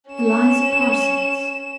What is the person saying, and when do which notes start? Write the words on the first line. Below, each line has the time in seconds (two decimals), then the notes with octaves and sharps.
"Eliza Parsons."
0.10 C#4 E7